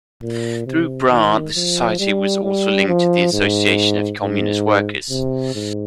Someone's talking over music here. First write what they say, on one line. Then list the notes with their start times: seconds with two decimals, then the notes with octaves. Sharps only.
Through Brar, the society was also linked to the Association of Communist Workers.
0.22 A#2
0.66 C3
1.10 D#3
1.56 F3
1.99 G3
2.44 G3
2.88 F3
3.33 G#2
4.22 G#2
5.10 C3
5.55 G#2